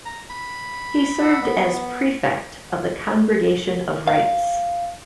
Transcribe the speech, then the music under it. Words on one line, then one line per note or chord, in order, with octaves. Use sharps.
He served as Prefect of the Congregation of Rites.
A#5
B5
F#5 E6
B3
F5